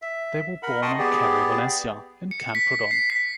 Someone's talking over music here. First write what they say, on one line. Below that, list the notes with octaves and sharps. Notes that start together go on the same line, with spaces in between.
They were born on Carrer València, in Camprodon.
E5
A#4 F#5 B5
D#5 G5 A5 C6 C#6 D#6
B3 G4 G#4 D5
C#7
B6
C7
B6